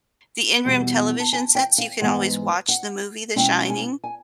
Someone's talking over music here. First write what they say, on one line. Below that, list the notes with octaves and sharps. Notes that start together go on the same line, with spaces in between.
the in-room television sets, you can always watch the movie, The Shining,
E2 B2 G3
A5
G#5
G5
F5
G#2 E3 G#3 B3 F#5
F#5
B2 G#3 C#4 E4 G5
G#5
G#5